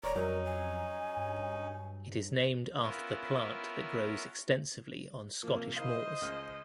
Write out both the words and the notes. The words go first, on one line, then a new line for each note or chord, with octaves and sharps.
It is named after the plant that grows extensively on Scottish moors.
D#1 C#5 D5 A#5
F2 F#3 C#4 D#4 A#4
G#5
G2
B3 C#4 E4 F4 A#4
C3 F3 A#3
E4 A#4 C5 D#5 F5
C#2 F6